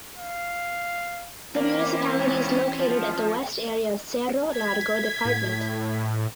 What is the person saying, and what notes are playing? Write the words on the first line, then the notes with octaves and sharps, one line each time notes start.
The municipality is located at the west area of Cerro Largo Department.
F5
E3 A#3 C4 C#4
G#2 C#3
F3
G#6 B6
A2